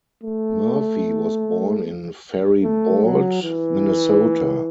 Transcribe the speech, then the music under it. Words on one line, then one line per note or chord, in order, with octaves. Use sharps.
Murphy was born in Faribault, Minnesota.
A3
A3
F#3
E3